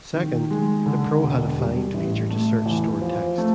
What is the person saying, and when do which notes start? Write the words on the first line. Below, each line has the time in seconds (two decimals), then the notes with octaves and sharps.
Second, the Pro had a "find" feature to search stored text.
0.14 D#3
0.51 G#3
0.86 D3
1.22 E1
1.58 G3
1.94 A1
2.30 A3
2.66 E2
3.01 F3
3.38 A3